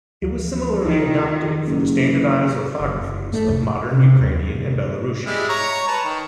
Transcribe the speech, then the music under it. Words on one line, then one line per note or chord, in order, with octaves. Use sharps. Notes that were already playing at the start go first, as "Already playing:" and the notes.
It was similarly adopted for the standardised orthographies of modern Ukrainian and Belarusian.
D2 E3 F3
D#3 E4 F4
F#1
F#1
G#2 G#3 A3
C2 F2
C3
D#2
G#2
G3 G#3 E4
C#5 A#5 C#6
B4 C#5 A5
D#3